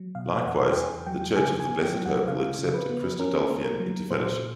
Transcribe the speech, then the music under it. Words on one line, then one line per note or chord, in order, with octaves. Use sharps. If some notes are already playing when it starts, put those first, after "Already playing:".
Likewise, the Church of the Blessed Hope will accept a Christadelphian into fellowship.
Already playing: F#3
B2 F5
E2 F#5
G5
E2 G#5
F#3 G5
C#3 G#5
G#5
B3
G5
F#3
F#5
C#3 F5
C#3
B4
B3
C#4 A#4
A#3
A#4
F#3
A#2 C5